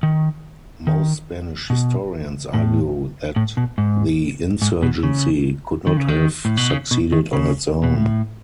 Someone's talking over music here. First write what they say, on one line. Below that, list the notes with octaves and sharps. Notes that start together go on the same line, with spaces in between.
Most Spanish historians argue that the insurgency could not have succeeded on its own.
D#3
D#3
B2
A2
A2
B2
G#2
G#2
B2
C#3
D#3
C#3
D#3
A2
B2
C#3
B2
D#3
C#3
B2
A2